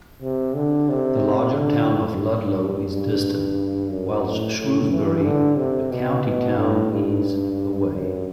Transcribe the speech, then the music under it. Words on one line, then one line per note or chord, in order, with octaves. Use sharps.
The larger town of Ludlow is distant, whilst Shrewsbury, the county town, is away.
C3
D3
C3
D3
G2
G2
F#2
A2
A2
E3
D3
C3
B2
B2
A2
G2
F#2